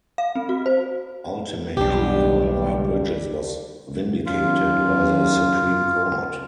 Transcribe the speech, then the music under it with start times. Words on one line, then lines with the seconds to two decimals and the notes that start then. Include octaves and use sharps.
Ultimately, however, Bridges was vindicated by the Supreme Court.
0.18 F5
0.35 C4
0.49 F#4
0.66 C5
1.77 B1 G3 D4 G4
4.26 F#2 F4